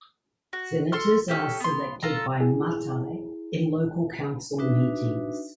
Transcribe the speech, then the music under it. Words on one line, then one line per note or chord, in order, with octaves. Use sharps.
Senators are selected by matai in local council meetings.
F#4
A4 C6 F6
C#4 G4 A4
B3 C6
F4 A4 A#5
E4 G#4
D4 D#4 F#4 B4 E5